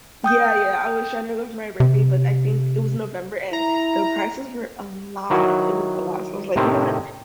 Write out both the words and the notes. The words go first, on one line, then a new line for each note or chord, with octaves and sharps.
Yeah, yeah, I was tryna go for my birthday, but I think it was November, and the prices were a lot. It was a lot, so I was like, "You know what?
G5 D#6 G6
C3
E4 A#5
D#3 F#3 E4 F#4
A2 C3 D#3 C4 E4